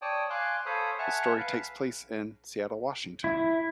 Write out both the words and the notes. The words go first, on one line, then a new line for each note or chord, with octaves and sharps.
The story takes place in Seattle, Washington.
C#5 D5 G5 A5 D#6
F5 G#5 C6 D6 F#6
A4 C5 C#5 F5 B5 D#6
E5 F#5 G#5 A5 F6
B4 F5
E4